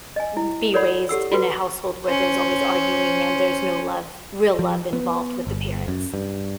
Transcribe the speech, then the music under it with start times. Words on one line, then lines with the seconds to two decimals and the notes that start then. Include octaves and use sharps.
n be raised in a household where there's always arguing and there's no love real love involved with the parents."
0.16 D#5 G#5
0.37 E4
0.74 A4 A#4 C#5 D5 F#5 B5
1.09 G4 A4 F#5 E6
1.32 F4 F#4 A4 B4
2.05 C#4 C5
4.59 F3
4.93 B3
5.47 G1
5.88 F#2
6.14 G2